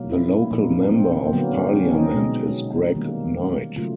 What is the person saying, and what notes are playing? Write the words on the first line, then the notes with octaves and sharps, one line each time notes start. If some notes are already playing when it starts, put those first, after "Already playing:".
The local Member of Parliament is Greg Knight.
Already playing: B2 F#3 A#3
E4
E4
A#2 F3 A#3 D#4
D4
C4
C4
D3 F#3 A#3 B3
C4
C#4
D#4
B2 G#3
D#3 G3 A#3
C#3 F#3 A3 F4